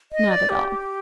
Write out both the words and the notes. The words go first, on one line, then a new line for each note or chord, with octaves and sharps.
Not at all.
D#5
D5
G4
G4